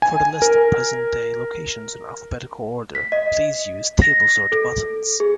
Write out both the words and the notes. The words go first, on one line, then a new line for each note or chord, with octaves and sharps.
For the list of present-day locations in alphabetical order, please use table-sort buttons.
G#5
A#4
B6
D#5
A#6
A4
G#4